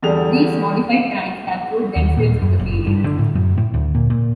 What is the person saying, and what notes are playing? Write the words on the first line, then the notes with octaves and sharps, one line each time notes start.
These "modified" tanks have proved themselves in the field.
E2 D3 G3 G#4 F7
D#2
A#2
F#2
F#1
G2
D3
A2
F#2
A2
D2
A#2
A#2